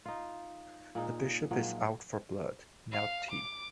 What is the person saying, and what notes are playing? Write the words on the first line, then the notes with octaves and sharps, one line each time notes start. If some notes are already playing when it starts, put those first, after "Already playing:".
The Bishop is out for blood, not tea.
D#4 F4
A#2 G#3 D#4
A#2 F3 F#3 G#3
F5
D6